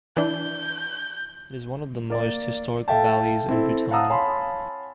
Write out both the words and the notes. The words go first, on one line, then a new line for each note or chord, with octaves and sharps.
It is one of the most historic valleys in Bhutan.
E3 D4 G6
A#3 D5
A4 E5 F5 G5 A5
C4 E4 A4
F5 F#5 A5 A#5 D#6 E6
C#5 F5 G#5 A5 B5 C6